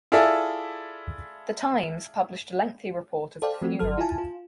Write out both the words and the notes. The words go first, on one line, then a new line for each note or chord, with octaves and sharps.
The Times published a lengthy report of the funeral.
E4 F4 G#4 A4 D5 E5
A4 C5 D5 F5 G5
F3 A3 C4 F#4
G1 F#3 A4 F6
E4 F4 F5 G#5 A5
F4